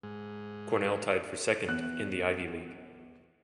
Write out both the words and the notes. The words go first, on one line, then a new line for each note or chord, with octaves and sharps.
Cornell tied for second in the Ivy League.
G#2
E2 F#6